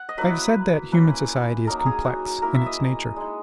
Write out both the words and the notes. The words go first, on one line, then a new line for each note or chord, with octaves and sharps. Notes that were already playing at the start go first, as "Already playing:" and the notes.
I have said that human society is COMPLEX in its nature.
Already playing: F#5
D#5
F#3 A#3 E4 B4
A#3 C#4 E4 B4
F#3 A#3 D#4 A#4
G#4
F#4
A#3 E4 A#4
E5
D#5
G#3 D#4